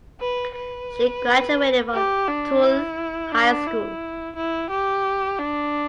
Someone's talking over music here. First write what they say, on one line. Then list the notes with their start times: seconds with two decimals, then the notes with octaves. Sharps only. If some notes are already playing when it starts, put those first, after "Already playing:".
She graduated from Tooele High School.
0.20 B4
0.56 B4
1.94 G4
2.28 D4
2.63 E4
3.32 D4
3.66 E4
4.36 E4
4.70 G4
5.39 D4